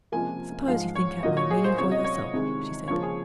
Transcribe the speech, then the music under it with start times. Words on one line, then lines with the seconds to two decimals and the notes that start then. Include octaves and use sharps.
"Suppose you think out my meaning for yourself," she said.
0.12 C#2 C3 F3 A#3 G#5
0.68 G#2 F3 G#3 F5
0.95 C#5
1.23 A#2 F#3 A#3 D#5
1.37 C#5
1.50 G#4
1.64 C5
1.78 C#2 C3 F#3 C#5
1.92 D#5
2.04 C#5
2.33 C2 C3 D#3 G#3
2.88 C#2 C#3 F3 A#3 C#5
3.02 G#4